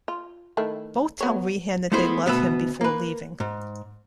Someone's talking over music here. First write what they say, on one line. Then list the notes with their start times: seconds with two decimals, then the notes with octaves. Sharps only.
Both tell Rehan that they love him before leaving.
0.08 F4
0.57 D#3 A3 E4
1.20 F#3 B3 C#5
1.92 G#3 A3 B3 E4 C5
2.26 D2 B2 B3 B4 E5
2.81 A#3 B4
3.40 G#2